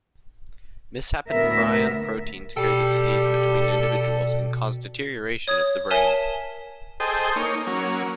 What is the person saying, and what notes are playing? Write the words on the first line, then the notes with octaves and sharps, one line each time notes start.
Misshapen prion proteins carry the disease between individuals and cause deterioration of the brain.
D2 A2 B3 A#4 E5
B2 G4 A4 D5 G5
C#5 D#6 G#6
A#4 C#5 E5 G#5 A5
A5
G#4 A4 C5 D#5 G5
A#3 D#4 C#5
F#3 A#3 C#4